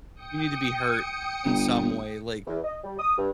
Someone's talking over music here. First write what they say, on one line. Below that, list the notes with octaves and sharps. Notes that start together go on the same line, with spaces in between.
you need to be hurt in some way, like
G5 D#6 C#7
G1
E2
D#5
G3
D#6
G2